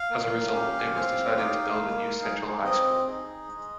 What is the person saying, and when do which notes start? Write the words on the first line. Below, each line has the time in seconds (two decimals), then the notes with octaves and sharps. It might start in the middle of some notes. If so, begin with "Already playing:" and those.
As a result, it was decided to build a new central high school.
Already playing: F5
0.10 A#3
0.53 C#4 G4
0.95 C4
1.37 D#4 G4
1.80 A#3
2.22 D#4 G#4
2.64 C4 D#5
3.06 D#4 G#4
3.48 G#3